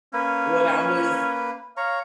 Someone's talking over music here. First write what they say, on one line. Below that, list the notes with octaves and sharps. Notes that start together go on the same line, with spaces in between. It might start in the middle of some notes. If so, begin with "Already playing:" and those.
when I was
A#3 C#4 B4
C#5 F5 A#5